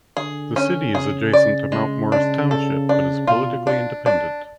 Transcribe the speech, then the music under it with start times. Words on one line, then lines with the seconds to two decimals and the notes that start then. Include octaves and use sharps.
The city is adjacent to Mount Morris Township, but is politically independent.
0.17 D3 G#4
0.56 C#4
0.95 C#3 G#4
1.33 D5
1.72 G#3
2.12 D4
2.51 A4
2.89 D4
3.27 B2 F4
3.67 D4
4.06 D4